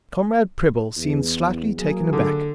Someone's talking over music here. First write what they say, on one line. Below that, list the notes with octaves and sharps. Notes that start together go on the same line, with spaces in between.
Comrade Prebble seemed slightly taken aback.
E2
F#3 A#3 G#4
D3